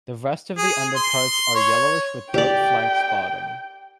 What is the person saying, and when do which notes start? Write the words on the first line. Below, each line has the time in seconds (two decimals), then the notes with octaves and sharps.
The rest of the underparts are yellowish with dark flank spotting.
0.58 G#4
0.97 C6
1.55 C#5
2.34 G4 D5 G5